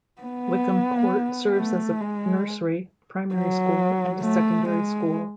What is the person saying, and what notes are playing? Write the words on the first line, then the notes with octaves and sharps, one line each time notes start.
Wickham Court serves as a nursery, primary school and secondary school.
B3
A3
G#3
F#3
A3
G#3